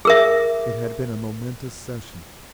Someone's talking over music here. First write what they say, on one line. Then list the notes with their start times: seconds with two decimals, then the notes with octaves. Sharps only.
It had been a momentous session.
0.05 G#4 A#4 E5